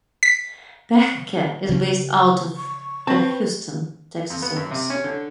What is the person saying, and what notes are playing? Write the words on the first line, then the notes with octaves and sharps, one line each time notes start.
Behncke is based out of the Houston, Texas office.
B6
C#3 F3 C#4
C#6
C4 B4 A5
F2
B3
F#2
C3
C#4
D3